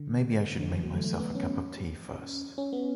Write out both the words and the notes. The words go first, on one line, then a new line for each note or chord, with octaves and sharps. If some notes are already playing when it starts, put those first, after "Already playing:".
Maybe I should make myself a cup of tea first.
Already playing: D3
D3
E3
F#3
A3
A3
B3
C#4
C#4
B3